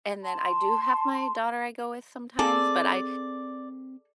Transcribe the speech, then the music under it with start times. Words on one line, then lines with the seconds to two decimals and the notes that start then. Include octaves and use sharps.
and then I do have my daughter I go with sometimes, but I
0.23 A5 C6
2.39 C4 G#4 A4 D5